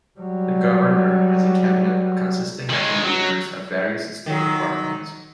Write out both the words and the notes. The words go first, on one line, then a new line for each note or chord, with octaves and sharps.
The governor has a cabinet consisting of the leaders of various state departments.
F#3 G3
D#3 G#3
F#3
D#3 F#3